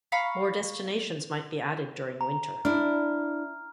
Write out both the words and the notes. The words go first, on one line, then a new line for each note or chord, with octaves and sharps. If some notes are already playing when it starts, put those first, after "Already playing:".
More destinations might be added during winter.
F5 A#5 B5 C#6
A#5
D4 E4 F6